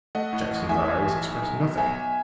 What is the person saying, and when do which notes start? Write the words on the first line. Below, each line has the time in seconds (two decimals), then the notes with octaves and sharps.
Jackson's eyes expressed nothing.
0.15 A3 D#5 F#5
0.33 A2
0.51 A1
0.69 A2 E5 G#5
0.88 A1
1.05 A2
1.23 B1
1.42 B1
1.60 B1
1.78 B1 E5 G#5
1.96 B1